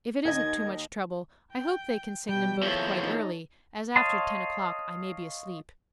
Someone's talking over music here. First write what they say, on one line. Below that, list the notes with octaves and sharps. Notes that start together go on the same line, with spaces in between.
If it isn't too much trouble, I hope they can sing them both quite early, as after ten o'clock I may be asleep.
D#2 D#4 D#5 G#6
G5
B2 G3 G5
E2 F3 A4 C#5 E5
D#4
C#5 D#5 F5 A5 C6